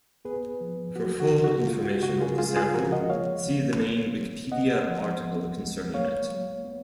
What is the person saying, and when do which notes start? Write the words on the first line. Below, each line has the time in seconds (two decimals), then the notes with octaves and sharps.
For full information on this anthem, see the main Wikipedia article concerning it.
0.25 B3 G#4 B4
0.61 F3
0.96 F#3 F#4
1.20 F#4
1.32 C#3
1.44 F#4
1.67 G#3 F4
1.85 F#4
2.03 C#3 F#4
2.20 F4 G#4
2.38 G#3 F4 G#4
2.56 F4 G#4
2.74 F3 F#4 A#4
2.92 D#5 F#5
3.09 A#3 C#5 F5
3.46 D#3
3.81 B3
4.17 F#3
4.52 B3 D#5 F#5
4.88 F3
5.23 B3
5.58 G#3
5.94 A#3 C#5 F5
6.30 F#3
6.65 B3